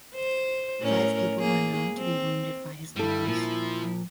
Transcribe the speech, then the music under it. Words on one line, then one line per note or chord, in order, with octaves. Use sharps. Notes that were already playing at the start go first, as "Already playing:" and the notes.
Five people were known to be wounded by his bombs.
C5
A2 C#4 A#4
A#3 G#4
C4
G2 G3 E4 A4
A#2 F3